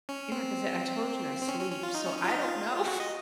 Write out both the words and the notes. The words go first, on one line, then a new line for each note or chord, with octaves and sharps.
You know, like I said, I told you I sleep, so I don't know.
C#4
C4
C4
C#4
C#4
C#4
F4
D#4
C#4
C#4
F4
D#4
F4
F#4
D#5